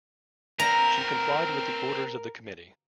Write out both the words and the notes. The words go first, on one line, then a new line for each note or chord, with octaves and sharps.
She complied with the orders of the committee.
C4 A#4 B4 A#5